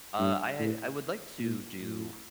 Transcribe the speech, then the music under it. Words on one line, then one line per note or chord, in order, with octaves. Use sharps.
uh, I I would like to do,
G2
A2
A#2
A2